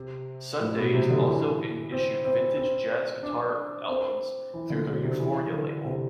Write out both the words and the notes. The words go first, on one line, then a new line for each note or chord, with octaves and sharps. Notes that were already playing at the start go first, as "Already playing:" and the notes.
Sundazed also issued vintage jazz guitar albums through their Euphoria label.
Already playing: C3
A2
B2
C3
D3
E3
C4
C4
C4
D4
C4
E3
D3
B2
C3
E3
D3
C3